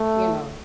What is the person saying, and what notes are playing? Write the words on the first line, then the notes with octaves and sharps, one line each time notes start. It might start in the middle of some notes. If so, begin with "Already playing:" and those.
you know,
Already playing: A3